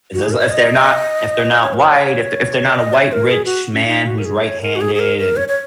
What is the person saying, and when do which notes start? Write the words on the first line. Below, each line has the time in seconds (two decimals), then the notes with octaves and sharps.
as as if they're not if they're not white, if if they're not a white rich man who's right-handed and
0.14 F#4
0.23 G#4
0.31 A#4
0.41 C#5
0.50 D#5
1.62 C#5
1.73 A#4
1.84 C#5
2.74 D#5
2.94 C#5
3.12 A#4
3.31 G#4
3.45 F#4
3.73 C#4
3.87 D#4
4.06 F#4
4.18 A#4
4.25 G#4
4.43 C#5
4.62 A#4
4.76 F#4
4.81 G#4
4.95 G#4
4.99 A#4
5.18 A#4
5.37 C#5
5.48 C#5